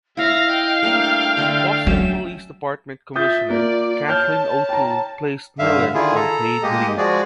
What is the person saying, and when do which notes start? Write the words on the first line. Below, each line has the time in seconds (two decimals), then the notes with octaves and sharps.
Boston Police Department Commissioner Kathleen O'Toole placed Milien on paid leave.
0.17 E4 C#5 E5 F5 A#6
0.48 D#5 G5
0.83 G3 A3 A#3 D4 G5
1.37 D3 A3 D#5
1.87 F#3 A3 C#4 E7
3.16 F4 E5 D#6 G6 A6
3.50 A#3 D5
4.08 C#5 A5 F6 G6
4.69 G5 A#5
5.59 G2 D3 E5 F5
5.94 D3 D#3 E4 F4 G#4
6.15 A4 A#5
6.63 G#3 A#3 G4 D#5
6.97 F3 G#3 F#4 G#4 D5